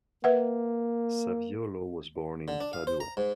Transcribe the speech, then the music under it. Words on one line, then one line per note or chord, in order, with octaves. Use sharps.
Saviolo was born in Padua.
A#3 B4 E5 F#5
D3
D4
F5
C5
A#5
G#2